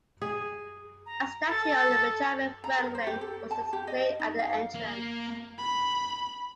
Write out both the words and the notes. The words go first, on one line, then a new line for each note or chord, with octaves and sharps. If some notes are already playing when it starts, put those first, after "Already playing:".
A statue of Benjamin Franklin was displayed at the entrance.
G#4
A#5
A4 A6
A#5
A#4
C5
G4
A4
A5
G4
D#5
D#4
F5
A#3
B5